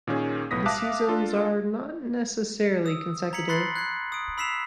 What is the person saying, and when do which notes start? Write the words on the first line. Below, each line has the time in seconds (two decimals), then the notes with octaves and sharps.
The seasons are not necessarily consecutive.
0.07 A#2 D#3 A#3 C#4 G#4
0.51 B1 A2 B3 D#6 A#6 B6
0.66 E5 F5 A5 D6 D#6 F#6
1.09 D4 F4 A4
2.86 D#6 E6
3.33 A#5 G#6 B6 C#7 F#7
3.49 B5 C6 F#6 A6 C7 F#7
3.75 F#6 G#6 C7
4.12 D#6 D7
4.38 B5 E6 B6 C7 E7 F7